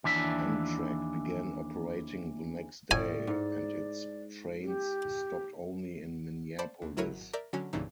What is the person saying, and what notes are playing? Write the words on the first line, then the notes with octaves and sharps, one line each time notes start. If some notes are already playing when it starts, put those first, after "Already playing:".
Amtrak began operating the next day and its trains stopped only in Minneapolis.
D#2 E3 D4 E5
A2 D5 G#5
G#2
G4
C5 D5 A5 B5
D#2
G#1 F#3 E4 A#4 C#5 D#7
A#4 D5 E5 G6
D3 F#3 C#4
C2 G2 A#2 C#3 E3 D#4